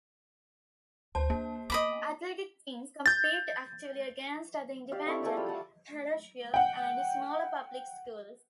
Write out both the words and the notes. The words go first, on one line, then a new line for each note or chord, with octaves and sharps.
Athletic teams compete actively against other independent, parochial and smaller public schools.
D2 C5 A5
A#3 D4
B3 D#5 B5 D6
G6 A6
G4 D5 F5
C4 E4 A4 C#6
A3 G#4 D5
G3 F4 F5 G5
A4 F#5
F#5 G5